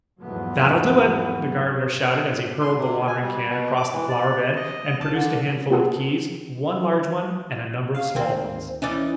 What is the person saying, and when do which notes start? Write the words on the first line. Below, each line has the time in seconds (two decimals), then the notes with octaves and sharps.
"That'll do it!" the Gardener shouted, as he hurled the watering-can across the flower-bed, and produced a handful of keys--one large one, and a number of small ones.
0.22 E2 G#2 F3 F#3 A3 B3
2.62 C6
2.76 C3
3.07 G#5
3.22 G3
3.48 B2
3.77 D6
3.93 E3
4.09 D5
4.56 D#5
5.00 A5
5.13 D3
5.70 A#3 F4 F#4 G#4 A4
7.95 F5
8.15 D2 D#3 A#3 C4
8.82 E3 C#4 D#4 D5